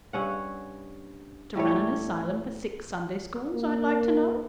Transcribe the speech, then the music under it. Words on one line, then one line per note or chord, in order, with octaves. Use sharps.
To run an asylum for sick Sunday schools, I'd like to know?
G2 C#4 F#5
A2 G3 A3 C#5
A#3